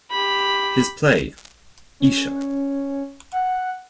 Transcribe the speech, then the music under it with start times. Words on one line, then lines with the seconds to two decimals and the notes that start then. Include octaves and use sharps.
His play, Isha.
0.11 G4 B5
2.00 C#4
3.32 F#5